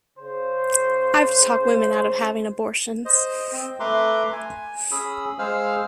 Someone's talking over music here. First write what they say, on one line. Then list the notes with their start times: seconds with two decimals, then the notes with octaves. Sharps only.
I've talked women out of having abortions.
0.18 C#3 C5
3.05 C5 D#5
3.52 C4
3.80 A3 B4 E5 A#5 C6 D6
4.32 G#5
4.91 C#4 G#4 B5 D#6 E6
5.39 G#3 G#4 C5 F5 E6 F6